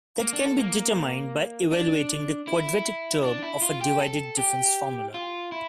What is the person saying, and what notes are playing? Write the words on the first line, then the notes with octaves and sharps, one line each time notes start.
That can be determined by evaluating the quadratic term of a divided difference formula.
A#3
D4
A4
A#3
D4
E4
D4
E4
F4
G4
A4
G4
F4
E4